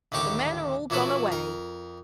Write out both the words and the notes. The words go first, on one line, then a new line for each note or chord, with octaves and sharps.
The men are all gone away.
A1 D#2 D3 G4 C#6 D6
A#2 E3 C#4 E4 F#4 A4
F2 A#4